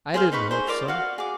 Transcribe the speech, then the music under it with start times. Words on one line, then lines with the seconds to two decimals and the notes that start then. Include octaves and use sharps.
I didn't hope so.
0.14 G#4 C5 F5
0.32 D#4 B4 B5 C#6
0.51 G#4 C5
0.67 F4 A#4 D5 D6
0.88 F#4 F5
1.18 G#4 D6